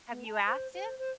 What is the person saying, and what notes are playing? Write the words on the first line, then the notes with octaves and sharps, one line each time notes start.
Have you asked him?
B3
A5
C5
C5
C5